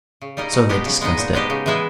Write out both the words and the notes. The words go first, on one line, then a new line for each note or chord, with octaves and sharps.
So they discussed it.
C#3
G3 A#3 D#4 A#4
B2
G#3 B3 G4
C#3
G#3 B3 D#4
A#2
G#3 B3 D#4 G4
C#3
E3 G#3 B3 E4